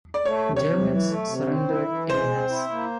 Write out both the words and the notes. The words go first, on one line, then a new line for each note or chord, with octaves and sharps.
Germans surrendered en masse.
D5
A3 C#5
C3
C#5
C3
E3
A3
C3
C4
E4
E3
G#3 C5
C4
E4
A#3